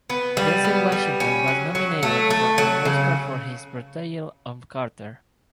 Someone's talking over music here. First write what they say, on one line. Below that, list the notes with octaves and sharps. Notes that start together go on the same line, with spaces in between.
Denzel Washington was nominated for an Oscar for his portrayal of Carter.
B3
G3
B3
G3
C#4
F#3
F#3
A3
A3
F#3
C#3